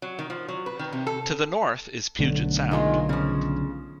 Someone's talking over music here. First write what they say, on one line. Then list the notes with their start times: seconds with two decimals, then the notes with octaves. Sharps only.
To the north is Puget Sound.
0.02 F#3
0.19 D#3
0.30 F3
0.48 F#3
0.66 B4
0.79 D#3
0.92 C3
1.07 A4
2.19 B1 D3 A3
2.71 D#3 G#3 F4
3.09 C#3 F3